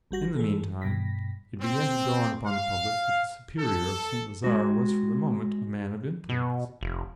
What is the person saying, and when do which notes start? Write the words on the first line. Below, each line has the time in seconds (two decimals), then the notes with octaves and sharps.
In the meantime it began to dawn upon the public that the Superior of St. Lazare was for the moment a man of influence.
0.11 G#1 G3 F#4 A#6
0.36 E3 G#4 A4
0.82 G2 B2 A#6 B6
1.61 C4
2.46 F5
3.58 A4
4.44 G#3 F#4
6.29 B2
6.81 F1